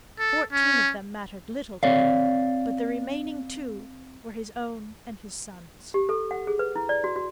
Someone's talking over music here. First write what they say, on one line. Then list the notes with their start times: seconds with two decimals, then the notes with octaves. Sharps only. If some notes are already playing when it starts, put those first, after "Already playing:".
Fourteen of them mattered little to him, but the remaining two were his own and his son's.
0.20 A4
0.53 C#4
1.83 C4 C#5 D5 F5
5.94 G4
6.09 A4
6.31 F#5
6.47 G#4
6.59 B4
6.76 E4
6.89 D5
7.04 F#4
7.16 F#4